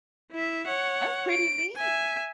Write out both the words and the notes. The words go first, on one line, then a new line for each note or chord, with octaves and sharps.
That's pretty neat.
E4 E5
C#5 F#5
D7
E5 G#5